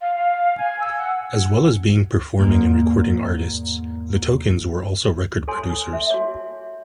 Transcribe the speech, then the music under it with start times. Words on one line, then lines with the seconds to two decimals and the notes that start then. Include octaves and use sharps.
As well as being performing and recording artists The Tokens were also record producers.
0.01 F5
0.15 F5
0.58 G#5
0.82 E6
0.97 F#5
2.39 E2 G#2 A#3
5.48 A4 C#5 G#5 C6
5.93 E5
6.10 F#4 C#5